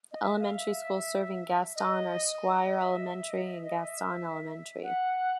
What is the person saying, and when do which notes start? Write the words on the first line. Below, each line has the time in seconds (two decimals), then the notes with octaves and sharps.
The elementary schools serving Gaston are Squire Elementary and Gaston Elementary.
0.11 D#5
0.22 E5
0.39 F5
0.57 E5
1.75 D#5
2.66 D#5
2.79 E5
3.20 E5
3.29 D#5
3.46 E5
3.64 D#5
3.81 E5
4.83 F#5